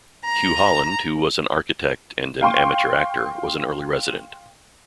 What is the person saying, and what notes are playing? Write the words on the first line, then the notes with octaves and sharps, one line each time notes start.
Hugh Holland, who was an architect and an amateur actor, was an early resident.
A#5
F5 G5 C6 C#6